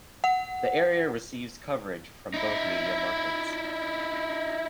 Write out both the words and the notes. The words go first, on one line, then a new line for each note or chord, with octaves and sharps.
The area receives coverage from both media markets.
F#5
D#4 E4